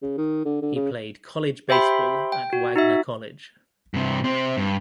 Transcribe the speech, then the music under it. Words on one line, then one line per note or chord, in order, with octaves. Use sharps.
He played college baseball at Wagner College.
C#3
D#3
D3
D3
C#3
G4 C5 E5 G5 B5 C6
G5
F#4
D#4 F#4 E5
G2 C3
C3 C4
G2